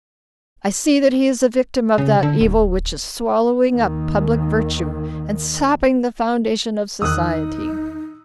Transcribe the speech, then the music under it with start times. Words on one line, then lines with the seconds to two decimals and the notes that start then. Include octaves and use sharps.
I see that he is a victim of that evil which is swallowing up public virtue and sapping the foundation of society.
1.98 C#3
2.23 D3
2.41 D1
3.70 D#2 D#3
7.02 E2 D#3 D#4 D#6 E6 F#6